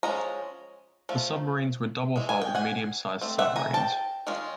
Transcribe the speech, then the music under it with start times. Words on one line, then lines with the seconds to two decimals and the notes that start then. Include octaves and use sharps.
The submarines were double-hulled medium sized submarines.
0.03 F3 G#3 C#4 A#5
1.09 F3 A3
2.16 E3 G#3
2.29 G#5
2.42 G5
2.55 F#5 G#5
3.21 A3 C4
3.39 E5 F#5
3.56 G#5 A#5
3.74 G5 A5
4.27 D#3 G#3 C#4 F4